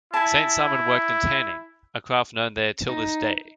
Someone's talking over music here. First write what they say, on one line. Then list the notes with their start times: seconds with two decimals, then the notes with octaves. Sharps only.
Saint Simon worked in tanning, a craft known there till this day.
0.14 E4 G#5 A5
2.89 D#4